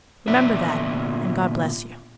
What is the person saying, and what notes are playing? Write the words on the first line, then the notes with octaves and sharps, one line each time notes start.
Remember that, and 'God bless you!'
A#2 D3 B3 D5 E5